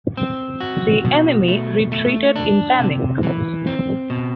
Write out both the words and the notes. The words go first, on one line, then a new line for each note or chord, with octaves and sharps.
The enemy retreated in panic.
C4
F#4
B2
A3
A3
D4
C3
E3
C4
B2